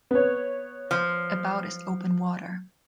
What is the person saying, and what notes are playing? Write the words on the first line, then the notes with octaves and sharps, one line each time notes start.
About is open water.
B3 C#5
F3